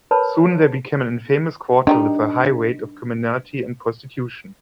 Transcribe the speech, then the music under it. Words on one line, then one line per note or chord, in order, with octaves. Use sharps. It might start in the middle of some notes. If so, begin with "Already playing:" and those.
Soon they became an infamous quarter with a high rate of criminality and prostitution.
A#4 B4 C#5 A5 B5
D#3 G3 D4 D#4